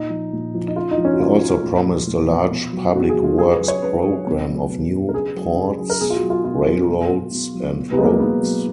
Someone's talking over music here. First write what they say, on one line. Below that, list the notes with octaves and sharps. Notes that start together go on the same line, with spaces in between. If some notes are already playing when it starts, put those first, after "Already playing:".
He also promised a large public works program of new ports, railroads, and roads.
Already playing: A#2 D#4
F3
A#2
F3
D#4
C#3 F4
D#4
F3
C#4
F#4
C#3 F4
F3
A#2
F3
A#2
F3
B2
F#3
B2 F#4
G#4
F#3
F4
C#3 G#4
B4
F#3
C#5
C#3 B4
F#3
B2
F#3
B2
F#3
A#4
C#3 G#4
F#3
C#3
F#3
A#4
B2 G#4
F4
F#4
F#3
F4
B2 F4
F#3
B2
F#3
B2
F#3
B2
B3
F#3 G#3
A#3
B2 B3
F#3